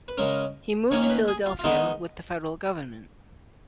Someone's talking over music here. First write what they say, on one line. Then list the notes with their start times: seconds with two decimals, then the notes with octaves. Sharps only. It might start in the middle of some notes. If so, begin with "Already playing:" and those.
He moved to Philadelphia with the Federal Government.
0.08 B4
0.18 C#3 G#3 C#4 A#4
0.91 D#3 A#3 C#4 C#5
1.02 C#5
1.09 B4
1.28 G#4
1.46 F4
1.59 F4
1.64 D#3 G#3 B3 D#4